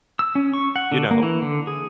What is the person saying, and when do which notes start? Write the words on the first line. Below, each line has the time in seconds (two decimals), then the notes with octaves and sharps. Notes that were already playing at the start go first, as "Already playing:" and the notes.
you know,
0.19 E6
0.35 C#4
0.53 C#6
0.76 F#5
0.92 D3
1.11 A#3
1.23 E3
1.42 D3
1.67 G#4